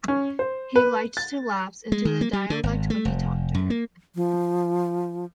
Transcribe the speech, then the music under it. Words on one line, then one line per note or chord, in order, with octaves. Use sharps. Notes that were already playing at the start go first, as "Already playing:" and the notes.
He liked to lapse into the dialect when he talked to her.
C#4
C5
B4
A6
G#3
D#3
A#3
G3
D3
G#1
A3
F1
F#2
A#3
F3